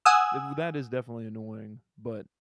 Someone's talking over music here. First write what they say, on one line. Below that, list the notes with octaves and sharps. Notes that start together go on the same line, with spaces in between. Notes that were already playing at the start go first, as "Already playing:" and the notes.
w that is definitely annoying, but
F#5 G#5 D#6 E6